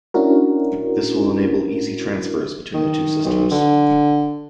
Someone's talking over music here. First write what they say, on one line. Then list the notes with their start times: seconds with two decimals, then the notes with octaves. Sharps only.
This will enable easy transfers between the two systems.
0.14 C#4 D4 E4 F#4 A#4
2.74 D#3
3.25 B1
3.52 D3